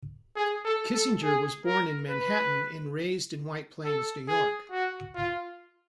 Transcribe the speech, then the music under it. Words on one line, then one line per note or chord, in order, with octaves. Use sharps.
Kissinger was born in Manhattan and raised in White Plains, New York.
G#4
A4
A4
G#4
A#4
B4
A4
G#4
F#4
F4